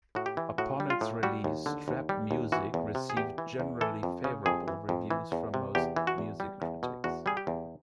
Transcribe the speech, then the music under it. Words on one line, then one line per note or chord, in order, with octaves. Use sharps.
Upon its release, "Trap Muzik" received generally favorable reviews from most music critics.
A2 F#4
G4
E3
A2 F#4
G3
F4
A2
G3 F#4
D#2
D3
D#2
G3
D#2
E3 F#4
E2
C3
G#4
E2 G4
E3
E2
E3 A4
F2
C#3
F2 G#4
E3
F2
E3
E2
C3
E2 G4
E3
F#4
E2
G3
E2
B2
E2 F#4
G3 G#4
G4
E2